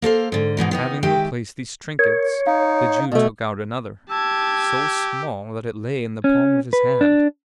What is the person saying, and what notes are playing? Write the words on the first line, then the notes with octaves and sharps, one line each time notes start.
Having replaced these trinkets, the Jew took out another: so small that it lay in the palm of his hand.
A#3 A4 C5 F5
G#2 D3
G#2 B2 E3 D#4
D#3 B3 D#4
D#3 G#3 G4 E5 G5
A#4 C#5
D#4 F5
B2 A3
G4 A5 E6 G#6
C#4
B4
D4